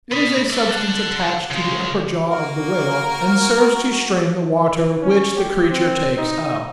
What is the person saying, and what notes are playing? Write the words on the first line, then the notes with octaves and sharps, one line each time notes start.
It is a substance attached to the upper jaw of the whale, and serves to strain the water which the creature takes up.
B4 D#5
D5 E5
A4 F#5
C#3 G#3
A#3 F#4 A#4
C#4
G4
C4
D#4